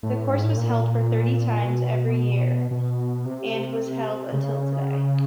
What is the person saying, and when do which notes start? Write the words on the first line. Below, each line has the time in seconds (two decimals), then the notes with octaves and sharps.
The course was held for thirty times every year and was held until today.
0.03 A2
0.29 G#2
0.43 A2
0.57 A#2
1.64 B2
2.71 B2
3.25 C3
4.32 C#3